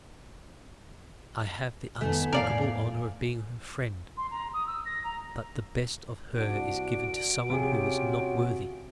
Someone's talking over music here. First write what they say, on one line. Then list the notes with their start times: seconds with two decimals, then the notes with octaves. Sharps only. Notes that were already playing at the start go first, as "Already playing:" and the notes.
I have the unspeakable honour of being her friend, but the best of her is given to someone who is not worthy.
2.01 F2 D#3 A3 B3 G#5
2.33 F2 A2 A#4 D5 F5
4.17 C6
4.31 A#5
4.53 D#6
4.66 E6
4.85 A#6
5.04 A#5
6.37 C2 D4 F#4 D7
7.50 C3 C#4 F4 G4 G#4